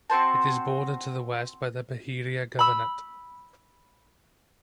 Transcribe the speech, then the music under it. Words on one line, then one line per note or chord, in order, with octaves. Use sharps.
It is bordered to the west by the Beheira Governorate.
C4 F#4 C5 A5
B5 E6